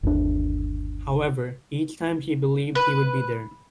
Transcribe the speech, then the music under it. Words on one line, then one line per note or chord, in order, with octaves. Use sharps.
However, each time she believed he would be there.
G1 D#2 D4
B4